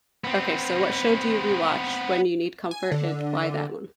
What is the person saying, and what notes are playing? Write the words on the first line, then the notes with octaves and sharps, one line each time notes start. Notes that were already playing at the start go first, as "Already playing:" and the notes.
Okay, so, what show do you rewatch when you need comfort, and why that one?
B3 C4
G#5
D3